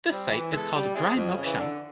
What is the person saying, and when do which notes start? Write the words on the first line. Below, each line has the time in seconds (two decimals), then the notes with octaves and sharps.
This site is called "Dry Moksha".
0.09 G3 C4
0.30 E3
0.51 G#3 B3 E4 A4
0.72 G3
0.94 C4 E4 G#4
1.15 F2
1.37 C#3 E3
1.58 D3